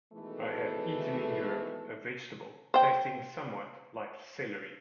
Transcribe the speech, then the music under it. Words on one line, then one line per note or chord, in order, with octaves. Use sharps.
I have eaten in Europe a vegetable tasting somewhat like celery.
B2 D#3 E3 G#3 A3
C5 G5